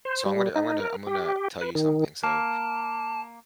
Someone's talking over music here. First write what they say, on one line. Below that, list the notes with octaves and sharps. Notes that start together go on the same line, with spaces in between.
so I'm gonna I'm gonna I'm gonna tell you something, so,
C5
G3
D#4
A#4
G4
B4
D#3
A#3 A5